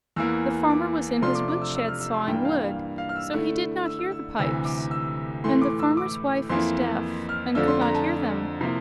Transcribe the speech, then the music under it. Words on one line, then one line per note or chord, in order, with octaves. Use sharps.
The farmer was in his woodshed, sawing wood, so he did not hear the pipes; and the farmer's wife was deaf, and could not hear them.
E2 E3 A#3 E6
D6
C3 F3 A3 D4 F4 C6
D6
D6
E6
E6
F6
E6
C6
G2 E3 A#3 G5
F5
F5
F5
F6
E6
D3 A3 E4
E6
E6
E6
D2 C3 E3 E6
D6
E6
A2 E3 A3 C6
D6
E6
D6
F2 E3 A#3 E4 C6
F6
F2 D3 A3 D4 F4 E6
C6
A#5
A5
C3 F3 A#3 E4